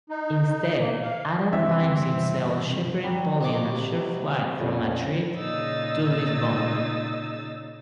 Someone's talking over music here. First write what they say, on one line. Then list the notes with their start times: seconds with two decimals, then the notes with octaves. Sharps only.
Instead, Adam finds himself shepherding Polly on a short flight from Madrid to Lisbon.
0.10 D#4
0.77 A#3
1.02 F5
1.53 G2 C3 E3 C4 E5
3.04 F#3 G3 F#4
3.41 F3 D#5 D6
3.70 C3
4.60 F2 A#2 C#3 G#5
5.35 A#2 C#3 D#4 E6 A6